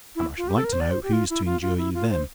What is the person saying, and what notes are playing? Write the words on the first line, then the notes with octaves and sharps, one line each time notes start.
And I should like to know who's to endure you then?
E4
F4
G4
A4
A#4
C5
D5
C5
G4
F4
E4
F4
F4
E4
F4
C5